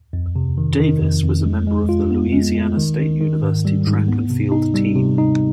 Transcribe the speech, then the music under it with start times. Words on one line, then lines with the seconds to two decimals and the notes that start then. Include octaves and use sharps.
Davis was a member of the Louisiana State University track and field team.
0.13 F2
0.36 C3
0.58 D#3
0.79 D#3
1.02 F2
1.23 F2
1.46 G#3
1.67 G#3
1.89 F4
2.11 B3
2.33 G#3
2.55 G#3
2.77 D#3
2.99 D#3
3.21 D#3
3.42 G#2
3.65 G3
3.86 G#2
4.08 B3
4.30 C3
4.52 D#4
4.74 G3
4.96 C3
5.18 D#4